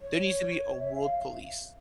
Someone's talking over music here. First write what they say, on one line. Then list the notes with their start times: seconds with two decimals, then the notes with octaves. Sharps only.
There needs to be a world police.
0.01 C#5
0.78 E5
0.97 F5